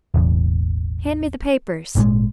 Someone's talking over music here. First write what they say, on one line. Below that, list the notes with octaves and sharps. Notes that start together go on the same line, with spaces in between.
Hand me the papers.'
E1 A1 E2
G#1 A#2 D3 G#3